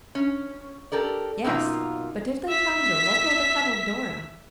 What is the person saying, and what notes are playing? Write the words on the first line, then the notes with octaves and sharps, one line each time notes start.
"Yes; but if they founder, what will become of Dora?"
C#4
G4 A4 A#4 D5
F#2 B2 A#3 D#4 F4
E5 B6